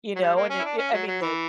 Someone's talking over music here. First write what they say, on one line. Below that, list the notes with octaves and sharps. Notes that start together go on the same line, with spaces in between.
you know? And, i eh, I mean, the
F#3
G3
A#3
C#4
E4
D4
C#4
F#3
F#3
E3